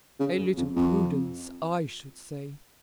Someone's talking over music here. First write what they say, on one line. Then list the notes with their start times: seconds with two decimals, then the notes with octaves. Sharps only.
"A little prudence I should say."
0.20 C#3
0.38 F#2
0.57 F2
0.76 F2